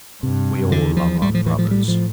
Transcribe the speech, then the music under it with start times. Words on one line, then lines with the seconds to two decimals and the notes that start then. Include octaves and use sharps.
"We all love our brothers."
0.23 G2 C3
0.72 E2 D3
0.97 F3
1.22 A2 G3
1.35 F3
1.46 E3
1.59 F3
1.71 G3
1.88 F3